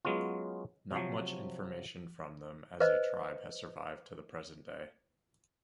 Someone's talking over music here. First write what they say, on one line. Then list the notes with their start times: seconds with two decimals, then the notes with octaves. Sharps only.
Not much information from them as a tribe has survived to the present day.
0.05 F#3 G#3 B3 C#4 F4
0.91 C3 F3 F#3
2.80 B4 C5 D#5